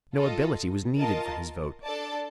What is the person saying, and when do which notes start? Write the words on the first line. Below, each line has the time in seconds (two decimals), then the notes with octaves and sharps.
No ability was needed for his vote.
0.15 F4 A4 D#5
0.99 F4 A#4 D#5 A5
1.84 D4 A4 D5 A5